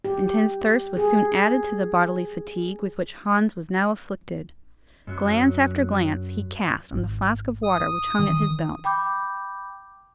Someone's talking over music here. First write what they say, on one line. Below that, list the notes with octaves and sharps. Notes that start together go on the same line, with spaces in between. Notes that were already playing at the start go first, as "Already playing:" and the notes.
Intense thirst was soon added to the bodily fatigue with which Hans was now afflicted; glance after glance he cast on the flask of water which hung at his belt.
G4
G#4
F#2 F#3
G#1
D#6
D#3 E3
G5 B5 D6 G6